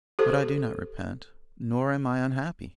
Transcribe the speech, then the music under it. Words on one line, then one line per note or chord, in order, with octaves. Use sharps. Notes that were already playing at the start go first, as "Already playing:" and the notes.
But I do not repent, nor am I unhappy.
G4 A4 C5